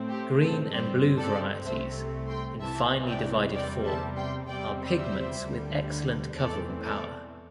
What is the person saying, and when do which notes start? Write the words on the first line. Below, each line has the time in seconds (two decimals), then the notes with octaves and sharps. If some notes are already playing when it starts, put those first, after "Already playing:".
Green and blue varieties, in finely divided form, are pigments with excellent covering power.
Already playing: A2 A3 C4
0.09 G4
0.41 A4
0.72 G2 G3 C4 G4 C5
1.18 A4 D5
1.66 C2 C3 A3 C5 E5
2.29 G5 C6
2.60 C2 C3 E3 E5 A5
3.07 D5 G5
3.54 E2 C3 G3 D5 G5
3.85 E5 A5
4.17 G5 C6
4.48 E2 C3 G3 C4 D5 G5
4.96 C5 E5
5.43 D2 D3 G3
6.37 E2 E3 A3 C4 A4 D5
6.84 A4 D5